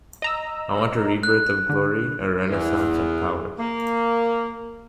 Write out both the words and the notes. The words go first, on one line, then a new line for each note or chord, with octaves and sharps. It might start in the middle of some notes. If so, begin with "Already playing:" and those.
I want a rebirth of glory, a renaissance of power.
D#5 A#5 E6
F#6
D3
E2
A#3